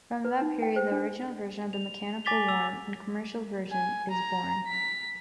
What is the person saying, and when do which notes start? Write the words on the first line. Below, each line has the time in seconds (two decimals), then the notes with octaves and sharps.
From that period, the original version of “Mechanical Worm” in commercial version is born.
0.25 B4
0.41 D#4
0.62 G5
0.76 C5
0.92 D4
1.73 F7
2.25 G#5 D6 A6 B6 F7 G7
2.48 D6 E6 F7
3.72 G#5
4.10 A#5
4.67 B6